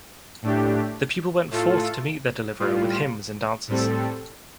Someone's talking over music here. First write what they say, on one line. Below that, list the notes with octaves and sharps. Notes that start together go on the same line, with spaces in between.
The people went forth to meet their deliverer with hymns and dances.
A2 A3 D4 G4
A2 A3 F4 A4
A2 G3 F4
A2 G3 C4 A4